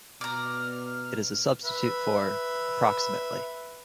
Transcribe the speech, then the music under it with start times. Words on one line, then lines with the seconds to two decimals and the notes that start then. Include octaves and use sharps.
It is a substitute for "approximately".
0.21 B2 D5 A#5 F6
1.65 B4 E5